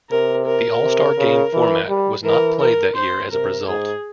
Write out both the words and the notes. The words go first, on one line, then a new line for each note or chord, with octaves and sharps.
The all-star game format was not played that year as a result.
C3 A#4
A#4
C3
C#3
E3
G3
E3 A#4
A#4
C5
C3 A#4
G#2 G#4